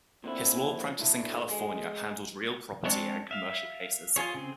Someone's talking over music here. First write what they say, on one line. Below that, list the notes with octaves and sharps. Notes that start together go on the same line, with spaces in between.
His law practice in California handled real property and commercial cases.
A#2 D3 C4 E4
F3
D2 A2 D3 A3
G#3
G#3 C4 D4 C#5
E5 F5
F4 G#4 C#5
C#3 C4 G#4